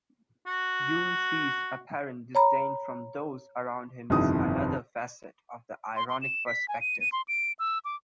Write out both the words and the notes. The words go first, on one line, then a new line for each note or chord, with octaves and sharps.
Ulysses' apparent disdain for those around him is another facet of the ironic perspective.
F#4
C#5 A#5 B5
G1 F2 C3 D#3 E4 D#6
C6
C6
E7
B6
G#5
D#7
D#7
C6
D7
E6
D6